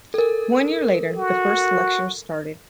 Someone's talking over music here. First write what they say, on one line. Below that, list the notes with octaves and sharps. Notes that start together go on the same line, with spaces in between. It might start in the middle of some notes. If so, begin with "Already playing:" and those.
One year later the first lectures started.
A4 A#4
F#4